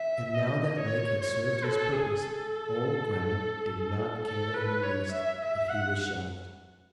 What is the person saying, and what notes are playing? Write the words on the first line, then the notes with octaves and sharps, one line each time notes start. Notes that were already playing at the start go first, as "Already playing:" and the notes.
And now that Lake had served his purpose old Grammont did not care in the least if he was shelved.
Already playing: E5
D#5
C#5
C#5
A4
G#4
A4
A4
B4
C#5
E5
E5
F#5